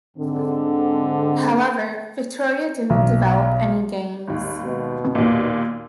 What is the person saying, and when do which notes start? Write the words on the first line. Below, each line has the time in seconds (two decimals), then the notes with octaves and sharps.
However Victoria didn't develop any games.
0.17 G#2 D3 C4
2.90 B1
4.28 G#1 D#2
4.65 B2
5.15 D#2 A#2